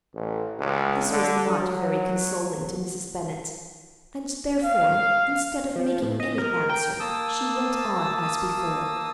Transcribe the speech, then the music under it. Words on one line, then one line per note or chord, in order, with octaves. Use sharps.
This was not very consoling to Mrs. Bennet, and therefore, instead of making any answer, she went on as before.
A1
C#2
D3
F#3
F5
F3
A2
D#5
A#4
G5
A#3 A5 D#6 E6